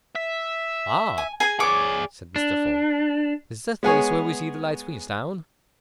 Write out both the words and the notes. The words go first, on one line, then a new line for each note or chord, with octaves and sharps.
"Ah," said Mr. Fogg, "is that place where we see the lights Queenstown?"
E5
G#5
G#4 G#5 A#5
G#4 C#5 D5 D6
D4
G#3 B3 G#4 C#5